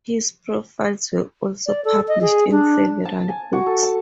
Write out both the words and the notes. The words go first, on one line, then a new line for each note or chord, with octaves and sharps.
His profiles were also published in several books.
D5
A4
D#5
G#4
D4
A5
G#5
F#4
A4
A5